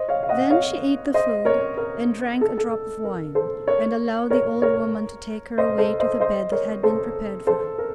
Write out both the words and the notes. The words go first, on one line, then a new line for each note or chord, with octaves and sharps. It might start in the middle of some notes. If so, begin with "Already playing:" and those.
Then she eat the food, and drank a drop of wine, and allowed the old woman to take her away to the bed that had been prepared for her.
Already playing: C5 D#5
C#5 F5
F5
D#5 F#5
C#5 F5
C5 D#5
A#4 C#5
A#4
A4
A4
A#4
A4 C5
A#4 C#5
A#4 C#5
A#4 C#5
C5 D#5
A4 C5
C5 D#5
C5 D#5
A#4 C#5
A4 C5
A4 C5
A#4